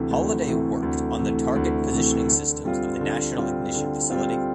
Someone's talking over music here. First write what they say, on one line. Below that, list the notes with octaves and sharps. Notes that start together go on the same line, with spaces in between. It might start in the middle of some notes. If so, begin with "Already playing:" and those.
Holliday worked on the target positioning systems of the National Ignition Facility.
Already playing: D2 C3 E3 A3
D2
C3 E3 A3
D2
C3 E3 A3
D2
C3 E3 A3
D3
G3 C4 F4
D3
G3 C4 F4
D3
G3 C4 F4